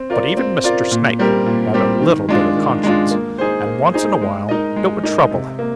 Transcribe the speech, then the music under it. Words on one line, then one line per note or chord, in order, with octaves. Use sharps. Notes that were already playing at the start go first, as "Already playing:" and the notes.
But even Mr. Snake had a little bit of conscience, and once in a while it would trouble him.
Already playing: C4
F4 A#4 D5
C4
F4 A#4 D5
A#2
G3 C4 G4 A#4
A#2
G3 C4 G4 A#4
D#3
G#3 D4 F4
D#3
G#3 D4 F4
A#3
D#4 G#4 C5
A#3
D#4 G#4 C5
G#3
D#4 A#4 D#5
G#3
D#4 A#4 D#5
C3
A#3